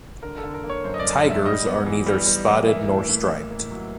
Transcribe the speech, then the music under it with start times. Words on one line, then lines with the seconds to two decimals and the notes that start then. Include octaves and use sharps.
Tigers are neither spotted nor striped.
0.23 D3 A#4
0.38 A4
0.43 D3
0.54 A#4
0.64 A#3
0.70 C#5
0.84 F#2 C5
0.94 D#5
1.00 F#2 D5
1.15 D#5
1.25 F#2
1.30 E5
1.45 G3 D#5
1.67 B3
1.86 E3
2.06 G3
2.27 G3
2.48 E3
2.68 A#3 E5
2.89 A2
3.09 A2
3.30 A2
3.50 A#3
3.71 F#3